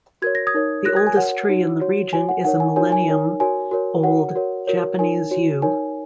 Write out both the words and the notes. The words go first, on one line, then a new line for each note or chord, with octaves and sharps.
The oldest tree in the region is a millennium-old Japanese yew.
F#4 A#4 C#5 G#6
A#6
D#6 G#6
D#4 A#4 C#5
F#4 A#4 C#5 F#6 A#6
D#6 G#6
G#5
F#4 A#4 C#5 F#5
D#4 F#4 C#5
F#4 C#5
F#4 C#5 G#5
F#5
D#4 A#4 C#5 F#5
G#5
D#4 F#4 A#4 C#5 G#5
G#5
D#4 A#4 C#5
F#4 A#4 C#5 G#5
F#4 A#4 C#5
F#4 A#4 C#5 F#5
F#4 A#4 C#5
F#4 A#4 C#5
D#4 A#4 C#5 G#5
F#4 C#5
D#4 A#4 C#5 G#5